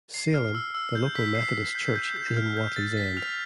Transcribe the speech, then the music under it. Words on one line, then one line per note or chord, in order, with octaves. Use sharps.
Salem, the local Methodist church, is in Watley's End.
C7
F6
E6
E6
G6
B6
C7
G6
G6
G6
F6
G6
A6
B6
F6 F7